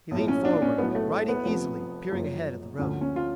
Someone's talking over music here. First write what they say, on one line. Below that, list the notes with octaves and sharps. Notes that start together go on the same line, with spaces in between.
He leaned forward, riding easily, peering ahead at the road.
B1 A2 F3
C#4
D4
D4
C#4
B1 A2 F#3 B3
A3
B3
F1 F2 F3
F#1 F#2 F3
D2 D3 F3 C#4
C#4
F4